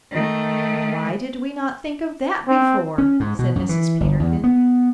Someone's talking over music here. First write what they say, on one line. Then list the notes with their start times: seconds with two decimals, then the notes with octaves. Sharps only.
"Why did we not think of that before?" said Mrs. Peterkin.
0.11 D#3 A3
2.48 C4
2.98 C#4
3.20 G#2
3.39 B2
3.56 F#2
3.69 E3
4.00 G1
4.20 E2
4.44 B3